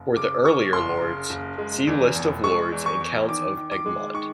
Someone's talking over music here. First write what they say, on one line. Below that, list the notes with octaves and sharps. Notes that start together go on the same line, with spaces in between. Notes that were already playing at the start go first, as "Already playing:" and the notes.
For the earlier lords, see List of Lords and Counts of Egmont.
Already playing: F#1
C#3 D6
C#3 C#6
F#1 C6
C#3
F#1
G#3
E2
F1
G#3 C#6
E2
C#6
E2
D#3 D6
D#3
D6
G#3
D#3 C#6